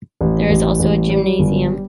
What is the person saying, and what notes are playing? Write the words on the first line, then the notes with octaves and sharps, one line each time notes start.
There is also a gymnasium.
A1
A1
A1
G3
G1